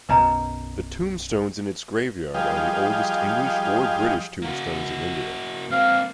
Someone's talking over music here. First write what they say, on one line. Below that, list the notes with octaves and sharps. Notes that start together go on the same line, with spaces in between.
The tombstones in its graveyard are the oldest English or British tombstones in India.
B1 F#2 B4 D#5 A#5
F3 G3 G4 G#4 D#5 F5
A#3 F#4
A#3 C4 F5